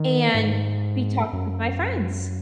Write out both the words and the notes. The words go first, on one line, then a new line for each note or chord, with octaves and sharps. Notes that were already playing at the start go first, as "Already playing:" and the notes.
And be talking with my friends
Already playing: D#3
G#2
F#2